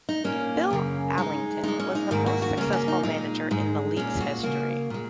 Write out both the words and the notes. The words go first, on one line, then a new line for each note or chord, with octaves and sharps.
Bill Allington was the most successful manager in the league's history.
D#4
A#2 A#3 C#4
F#2 C#3 A#3
G#2 G#3 D#4
A#2 G#3 D#4
C#4
D#4
G#2 D#3 A#3 F#4
F#4
F#4
C#3 A#3 C#4
C#4
D#4
A#2 G#3 D#4
G#2 G#3
A#2 G#3 C#4
F#4
C#3 A#3 F#4
A#2 G#3